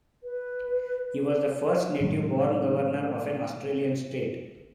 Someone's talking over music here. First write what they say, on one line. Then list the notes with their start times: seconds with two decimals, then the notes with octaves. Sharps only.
He was the first native-born governor of an Australian state.
0.23 B4
2.01 A2 D#3 F#3 G#3